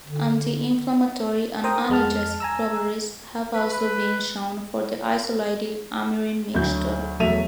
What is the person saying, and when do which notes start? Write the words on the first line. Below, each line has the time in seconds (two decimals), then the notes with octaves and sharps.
Anti-inflammatory and analgesic properties have also been shown for the isolated amyrin mixture.
0.05 D3
1.64 A#4 C5 G5 A#5 D#6
1.90 F2 G#3 A5 F6
2.40 G#5 A#5 E6
3.54 B4
6.54 D2 F#3 G6
7.20 E1 F#3 A3 E5 D#7 F7